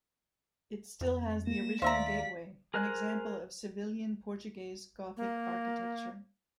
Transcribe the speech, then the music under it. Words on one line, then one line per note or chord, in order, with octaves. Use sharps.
It still has the original gateway, an example of Sevillian-Portuguese Gothic architecture.
F2
A#3 A#6 E7
D#2 C5 D5 E5 F5 A#5 B6
G#4 A#4 C5 G#5 F#6
A#3